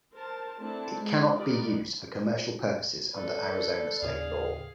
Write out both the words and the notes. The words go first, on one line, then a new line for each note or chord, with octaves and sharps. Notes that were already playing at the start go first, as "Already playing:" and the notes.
It cannot be used for commercial purposes under Arizona state law.
A#4 C5 A5
A3 C4 D4 E4 A5
G#3
D#4 F4 G4 A#4 B4 D5
A4 B4 D5
D#2 A2 C#3 G#4 F5